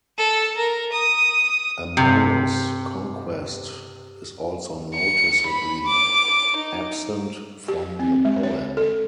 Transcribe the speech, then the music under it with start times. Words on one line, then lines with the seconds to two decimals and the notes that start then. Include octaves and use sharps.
Amorous conquest is also noticeably absent from the poem.
0.18 A4
0.57 A#4
0.92 D#6
1.97 G2 C3 G5
4.95 C#7
5.47 B5
5.88 D6
6.57 D#4
7.68 G4
7.99 C4
8.25 G#3
8.43 C#5
8.77 A4